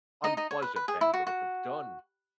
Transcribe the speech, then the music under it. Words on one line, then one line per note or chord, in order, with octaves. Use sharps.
unpleasant then, but if it's done
D#4 D#5
D#4 D#5
C#5
B4
B4
G#4
E4
F#4
F#4